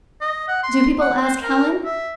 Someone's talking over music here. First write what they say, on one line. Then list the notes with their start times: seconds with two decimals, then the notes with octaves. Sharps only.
"Do people ask Helen?"
0.21 D#5
0.48 F#5
0.63 C6
1.00 F#5
1.24 C5
1.42 A#4
1.85 E5